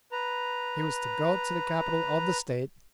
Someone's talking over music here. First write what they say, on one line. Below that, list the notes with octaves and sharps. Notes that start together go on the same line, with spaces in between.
He was to go to the capital of the State.
B4 A#5